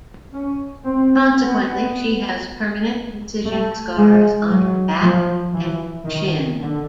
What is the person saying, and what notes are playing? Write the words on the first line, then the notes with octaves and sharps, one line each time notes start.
Consequently, she has permanent incision scars on her back and shin.
C#4
C4
B3
A3
G#3
F#3
F3
E3
D#3
D3